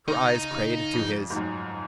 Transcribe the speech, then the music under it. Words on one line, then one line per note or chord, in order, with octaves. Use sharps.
Her eyes prayed to his.
C#3 D#4
C#3
F2
G#2
F#2